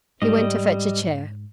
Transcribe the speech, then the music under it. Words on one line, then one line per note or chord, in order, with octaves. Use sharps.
He went to fetch a chair.
G#2 G3 D#5